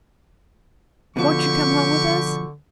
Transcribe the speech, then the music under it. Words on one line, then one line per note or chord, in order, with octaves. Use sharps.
"Won't you come home with us?"
B2 D3 F3 D4 G4 C#6